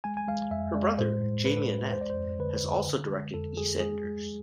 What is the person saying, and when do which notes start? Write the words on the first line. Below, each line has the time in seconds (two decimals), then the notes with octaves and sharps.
Her brother, Jamie Annett, has also directed "EastEnders".
0.04 G#3 G#5
0.17 G#5
0.28 G#3 F5
0.51 F2 E5
0.74 G#3 D5
0.98 A2 C5
1.22 A2
1.45 G#3 B4
1.69 G#3
1.93 F2 C5
2.01 D5
2.10 C5
2.17 F2
2.39 D3 B4
2.63 D3
2.87 D3
3.10 G#3
3.33 F2 A4
3.57 F2 G#4
3.80 G#3 G#4
4.04 G#3